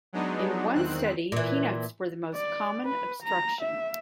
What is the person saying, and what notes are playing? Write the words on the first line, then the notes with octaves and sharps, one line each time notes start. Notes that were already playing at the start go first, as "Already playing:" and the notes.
In one study, peanuts were the most common obstruction.
F#3 G#3 B3 D4 D#4
E2 D#3 C4 F#6
A#2 E3
D5
B4
A#5
E5